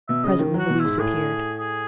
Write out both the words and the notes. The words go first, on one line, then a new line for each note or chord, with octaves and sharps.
Presently Louise appeared.
B2 E5
C#3 D#5
D#3
F#3 F#4
B2
E4
G#2
A2 G#4
G#4